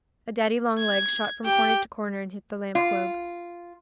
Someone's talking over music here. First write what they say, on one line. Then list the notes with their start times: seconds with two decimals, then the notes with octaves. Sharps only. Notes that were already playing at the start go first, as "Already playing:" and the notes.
A daddy-long- legs shot from corner to corner and hit the lamp globe.
0.79 G#6
1.45 G4 G5
2.75 F4